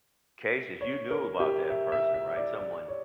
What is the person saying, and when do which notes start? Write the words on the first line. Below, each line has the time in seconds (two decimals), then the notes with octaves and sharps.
cases you knew about that person, right, someone
0.81 C#5
1.11 A#4
1.40 G4
1.70 E5
1.92 E5
2.14 E5
2.36 D5
2.59 D5
2.88 C#5